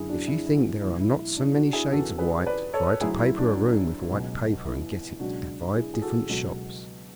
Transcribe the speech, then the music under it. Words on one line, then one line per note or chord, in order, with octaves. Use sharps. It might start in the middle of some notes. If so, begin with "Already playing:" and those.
If you think there are not so many shades of white, try to paper a room with white paper and get it at five different shops.
Already playing: F#1 F#2 D3 E4 G#4
D4 F#4
E4 G#4
E4
D4 F#4
E1 D2 D3 F#3 E4
E4
E4
D4
D4 F#4
E4 G#4
E2 C#3 E3 F#4 A4
G#4 B4
B4 D5
A4 C#5
D2 D3 F#3 E4 G#4
E4
D4
C#2 B2 F#3
E4
C#2 B2 F#3 D4 F#4
E4 G#4
G#4
F#4 A4
C#2 B2 F#3 F#4 A4